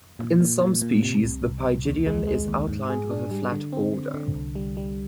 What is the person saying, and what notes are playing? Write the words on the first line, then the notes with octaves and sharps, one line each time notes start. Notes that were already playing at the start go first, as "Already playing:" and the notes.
In some species the pygidium is outlined with a flat border.
A#2
A#2
A#2
A#2
C3
C2
C2
C2
D#2
G#3
G#3
D#2
G#2
G#4
D4
G3
D3
C4
D3
D3
C2
G3
G3